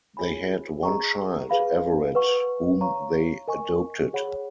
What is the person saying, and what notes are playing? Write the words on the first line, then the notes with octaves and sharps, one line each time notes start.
They had one child, Everet, whom they adopted.
F4 G#4 C#5 G#5 B5
G#4 D#5 A#5 C#6
G#4 B4 F5 B5
B4 F#5 C#6
C#5 F5 A#5 C#6
A#4 D#5 G#5 C#6
G#4 C#5 F#5 B5